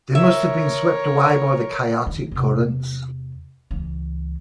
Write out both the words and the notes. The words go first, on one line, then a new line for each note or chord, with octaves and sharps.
They must have been swept away by the chaotic currents.
A#4 C#5 E5
D#3 D#4
E2 C3
C#2 E3